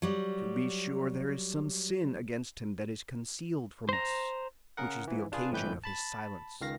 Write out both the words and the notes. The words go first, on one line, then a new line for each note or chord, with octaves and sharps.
To be sure there is some sin against him that is concealed from us, which is the occasion of his silence.
F#3 G3
C5 A#5
C#3 G#4 A#4 F#5
G#2 E3
D4 F4 G#4 B4
G1 F2 A2 E3 B4 G6
A5 B5 A6
C#2 D#3 F5 A#6